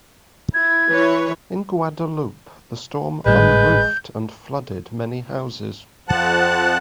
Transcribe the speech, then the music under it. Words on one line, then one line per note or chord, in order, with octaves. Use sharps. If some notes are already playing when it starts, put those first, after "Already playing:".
In Guadeloupe, the storm unroofed and flooded many houses.
E4 G#6
E3 B4 C#5
G#1 A2 G3 G#3 B4 G6
F2 F3 F#5 A5 F#6